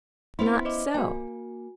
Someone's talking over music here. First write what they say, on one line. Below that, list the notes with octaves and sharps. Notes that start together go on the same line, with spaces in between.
Not so.
B3 C#4 E4 C5 E5 C6
C5 D#5 D6
A#3 F#4 G#5